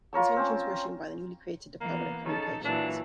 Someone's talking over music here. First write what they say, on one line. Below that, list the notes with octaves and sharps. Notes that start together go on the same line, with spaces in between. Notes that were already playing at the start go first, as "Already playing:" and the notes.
Its functions were assumed by the newly created Department of Communications.
F4 A#4 C#5 A5
C4 C#4
E3 A#3 B3
C#3 D#4 A4 A5
A#2 E3 F#3 D4